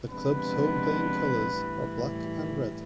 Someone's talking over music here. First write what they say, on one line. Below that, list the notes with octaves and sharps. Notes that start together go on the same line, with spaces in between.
The club's home playing colours are black and red.
C3 F3 G#3 B3 D4 B4
A2 E3 G3